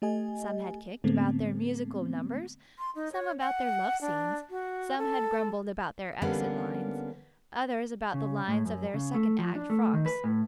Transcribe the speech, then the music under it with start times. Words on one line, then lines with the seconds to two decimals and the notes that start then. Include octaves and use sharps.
Some had kicked about their musical numbers, some about their love-scenes; some had grumbled about their exit lines, others about the lines of their second-act frocks.
0.02 A3 G4 D#5 G#5
1.04 A2 D3 G#3 A3 B3 C4
2.79 C6
2.95 D#4
3.12 C#5
3.40 F#5
4.01 D4
4.50 F#4
4.98 A4
6.22 D3 G3 A#3 B3 C#4 D4
8.14 C#3
8.48 A2
8.65 F#2
8.94 C#3
9.14 A3
9.39 F3
9.55 D4
9.70 A3
9.94 D#3
10.06 B4
10.24 A2